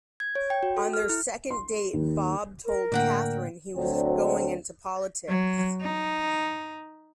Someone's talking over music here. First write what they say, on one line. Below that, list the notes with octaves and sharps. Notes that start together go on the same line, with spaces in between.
On their second date Bob told Catherine he was going into politics.
G#6
C#5
G5
F#4
A4
F6
E4
C6
D#2
A#4
A2 D3 A#3 D5 F#5 G5
D2 F#3 C4 D4
F#3
D#4